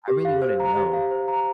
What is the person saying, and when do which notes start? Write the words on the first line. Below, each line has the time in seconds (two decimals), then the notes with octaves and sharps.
I really wanna know,
0.08 G4
0.25 F5
0.42 C5
0.60 A#5
0.76 G4
0.93 F5
1.11 C5
1.28 A#5